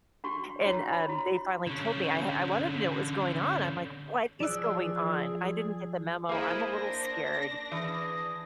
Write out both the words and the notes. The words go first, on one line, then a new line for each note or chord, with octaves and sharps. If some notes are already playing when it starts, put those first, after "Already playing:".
and, um, they finally told me I ha I wanted to know what was going on, I'm like, "What is going on? I didn't get the memo, I'm a little scared,"
D4 F#4 G4 C6 C#6
D4 E4 F#4 G4 C#5 D5
B5
E4 F#4
D3 C#4
F3 G#4 D5 E6 F#6
A#3 E4 G#4 C5 D#5
D4 A#6
E3 G#4